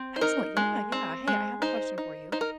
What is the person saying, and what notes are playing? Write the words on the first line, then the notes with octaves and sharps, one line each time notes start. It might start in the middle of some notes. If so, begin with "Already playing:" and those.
Excellent. Yeah, yeah. Hey. I have a question for you.
Already playing: C4
C5
D#4 A#4
G#3
C4
G#3
D#4 C5
D#4
D#4 C5
A#4